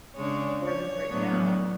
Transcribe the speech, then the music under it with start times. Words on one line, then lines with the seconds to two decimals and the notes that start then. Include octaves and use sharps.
Where I live right now,
0.15 C#3 G#3 D4 C#5
0.62 C#5
1.10 A2 F#3 B3 D4